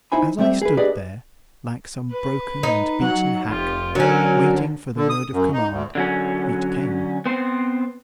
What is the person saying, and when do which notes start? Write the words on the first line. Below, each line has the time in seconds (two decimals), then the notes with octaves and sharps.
As I stood there, like some broken and beaten hack, waiting for the word of command, it came.
0.12 D#4 E4 C5 E5 G#5 B5
0.39 G3 A3 C4 C5 E5
0.62 G#4 B4
0.77 D4 G4 G#4 B4 D5 D#5
2.10 B4
2.63 D#4
3.01 F#3 F#5
3.49 F1 F4 G4
3.95 D3 F#3 C#4 A#4 G#5
4.96 D3
5.09 D#6
5.32 F#2
5.52 D#4
5.70 D2
5.95 D3 F#3 C#4
7.26 B3 C4 C5